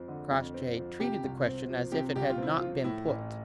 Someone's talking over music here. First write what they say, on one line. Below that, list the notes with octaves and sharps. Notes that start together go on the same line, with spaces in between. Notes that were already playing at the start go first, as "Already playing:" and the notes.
Crossjay treated the question as if it had not been put.
Already playing: F2 F3 C4
D3
F2
C4
F3
C3 G4
C2
C4
F3
C3 G4
C2 G4
F4
C4 E4
F4
F3
A2 E4
A1